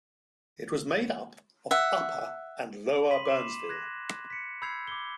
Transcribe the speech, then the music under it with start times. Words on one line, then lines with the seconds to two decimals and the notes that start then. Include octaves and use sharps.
It was made up of Upper and Lower Byrnesville.
1.71 E5 F#5
3.11 B5 C6 B6 D#7 F#7
3.25 D6 C7 E7
3.69 F#6 G#6 A#6
4.30 B6 C#7
4.62 B5 E6 G6 G#6 C7 F7
4.87 D6 G#6 G7